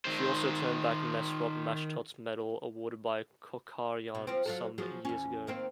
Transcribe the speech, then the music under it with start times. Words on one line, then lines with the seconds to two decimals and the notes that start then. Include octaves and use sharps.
She also turned back Mesrop Mashtots Medal awarded by Kocharyan some years ago.
0.05 D#3 C5
4.15 B2
4.27 F3 C4
4.46 F#3 F4 A4
4.78 F3 F#3 G#4
5.05 E2 C#4
5.47 D#3 A#3 C4